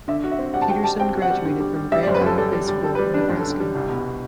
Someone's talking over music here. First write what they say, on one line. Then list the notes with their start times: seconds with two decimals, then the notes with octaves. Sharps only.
Peterson Graduated from Grand Isle High School in Nebraska.
0.08 D3 E5
0.24 F#4
0.31 E5
0.39 C4
0.54 G3 F#5
0.62 A5
0.69 F#4 G5
0.84 G3 A5
1.00 C4 G5
1.15 F#4
1.22 F#5
1.30 G3
1.45 D3
1.60 G3
1.76 G3
1.92 G3 E5
2.03 D5
2.07 F#2 C5
2.14 B4
2.21 F#2 A4
2.38 G3 A4
2.52 G3
2.68 G3
2.83 G3 A4
2.95 B4
2.98 G3
3.07 C5
3.14 D4 B4
3.28 F#2 G4
3.39 D3 A4
3.50 G4
3.60 G3
3.75 C2
3.90 B2